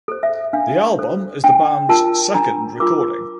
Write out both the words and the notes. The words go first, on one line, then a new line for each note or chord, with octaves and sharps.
The album is the band's second recording.
A4 C5
E5
D4 F5
A4 C5
D4 G5
F4 A#4 A5
D4 A#5
F4 A#4 D6